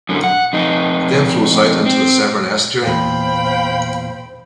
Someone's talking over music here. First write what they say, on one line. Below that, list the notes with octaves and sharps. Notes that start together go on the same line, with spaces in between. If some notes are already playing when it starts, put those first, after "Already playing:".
It then flows out into the Severn Estuary.
F#2 D3
F#5
F2 D#4
C4
E2 A#2 C5 F5 G5 B5